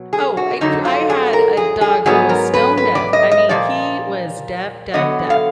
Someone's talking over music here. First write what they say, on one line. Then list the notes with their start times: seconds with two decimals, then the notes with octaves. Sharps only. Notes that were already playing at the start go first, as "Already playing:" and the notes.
Oh, it w I had a dog who was stone deaf. I mean, he was deaf, deaf, deaf;
Already playing: B2 F#3
0.13 G#4
0.37 F#4
0.61 F2 D3 F#3 D#4
0.85 F4
1.10 G#4
1.33 A#4
1.57 G#4
1.81 G#4
2.06 G#2 F#3 B3 G#4
2.29 A#4
2.54 B4
2.77 B4
2.95 D5
3.13 D#5
3.31 D#5
3.49 A#2 F3 D5
4.94 D3 F#3 B3 D#5
5.30 F5